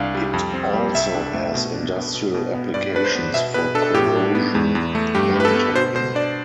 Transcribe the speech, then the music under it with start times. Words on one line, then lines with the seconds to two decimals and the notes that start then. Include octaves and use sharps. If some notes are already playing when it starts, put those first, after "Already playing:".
It also has industrial applications for Corrosion Monitoring.
Already playing: C2 D4 F5
0.14 G3
0.33 F2
0.54 C4
0.74 G3
0.95 C2 E5
1.14 D4
1.34 A3
1.54 B2
1.74 D4
1.95 B3
2.14 B2
2.34 B2
2.55 B3
2.74 G2 D5
2.95 D4 B4
3.04 C5
3.15 B3
3.34 B2 E5
3.54 B2 B4
3.75 D4 A4
3.94 A2 G4
4.16 D4
4.35 B3
4.55 E2
4.75 E2
4.95 A3
5.15 G2 G4
5.35 G2 B4
5.45 A4
5.55 B3
5.75 B2 C5
5.95 B2 C5
6.15 D4 D5